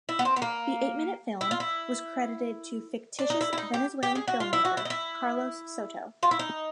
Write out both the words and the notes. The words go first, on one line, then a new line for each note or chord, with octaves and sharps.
The eight-minute film was credited to fictitious Venezuelan filmmaker Carlos Soto.
E4
B3
C4
B3
A#3
E4
F4
E4
D4
D#4
E4
E4
D#4
G4
G4
G#4
F#4
F4
E4
F#4
E4
D#4
E4
F4
E4
D#4